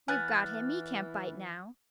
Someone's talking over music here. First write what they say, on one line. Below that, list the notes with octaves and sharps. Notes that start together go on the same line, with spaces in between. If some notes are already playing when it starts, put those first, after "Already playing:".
"We've got him; he can't bite now."
E3 B3 B4 G#5 F6 F#6 A6